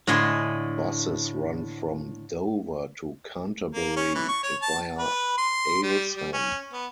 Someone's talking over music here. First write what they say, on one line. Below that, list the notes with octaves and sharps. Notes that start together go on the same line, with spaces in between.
Buses run from Dover to Canterbury via Aylesham.
A2 D3 D#5 G#5 C6
A#3
C#4
E3
C#6
C#5
A5
B4
C6
G3
G3
C#4
B3